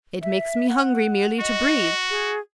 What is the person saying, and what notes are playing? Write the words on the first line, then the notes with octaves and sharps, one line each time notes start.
It makes me hungry merely to breathe.
E5
F#5
F#4 D#5
G#4